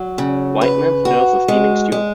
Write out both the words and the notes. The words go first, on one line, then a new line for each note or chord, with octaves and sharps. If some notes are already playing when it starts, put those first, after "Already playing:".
Whiteman stirs the steaming stew.
Already playing: F#3
C#3
B4
F#4
G#3
G#3